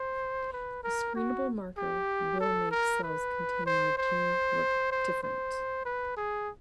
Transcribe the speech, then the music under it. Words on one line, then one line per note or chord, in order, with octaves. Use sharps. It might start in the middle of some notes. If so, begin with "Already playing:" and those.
A screenable marker will make cells containing the gene look different.
Already playing: C5
B4
A#4
F#4
G4
A4
A#4
B4
C5
C5
C5
C5
B4
G#4